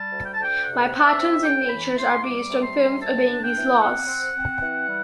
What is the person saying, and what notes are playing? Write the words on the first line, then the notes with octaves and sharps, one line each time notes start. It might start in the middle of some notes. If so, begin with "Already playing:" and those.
Many patterns in nature are based on foams obeying these laws.
Already playing: G3 A5
D2
G5
A5
D2 G5
C3 F#5
C4 F#5
E5
C4
A2 G5
E3 B5
E3 C6
G3 D6
C3
C6
G3
F#2 A5
D4
G5
E3
C4 F#5
C4
C4
E3
G3